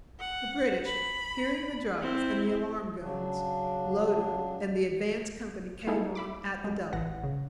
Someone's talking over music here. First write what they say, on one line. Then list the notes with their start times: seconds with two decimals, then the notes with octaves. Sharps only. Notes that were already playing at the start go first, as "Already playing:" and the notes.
The British, hearing the drums and the alarm-guns, loaded, and the advance company came on at the double.
0.19 F#5
0.86 B5
2.01 C4 E4
3.00 C#3 F#3 D4
5.87 G#3 A#3 D#4 E4 G#4 A4
6.15 E5 B5 D6
6.64 G#3
6.93 A1 E3 F#5 A#6
7.24 C#3